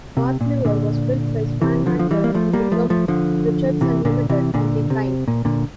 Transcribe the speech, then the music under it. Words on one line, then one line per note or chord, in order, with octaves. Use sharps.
"Barfleur" was built by Swan Hunter and Wigham Richardson Limited on the Tyne.
C3
A#2
A#2 D3
C3 E3
D3 F3
F3
E3 G3
A#3
F3 A3
G3 A#3
F3 A3
F3 A3
D3 F3
C3 E3
A#2 D3
C3 E3
A#2 D3
C3
A#2
A#2 D3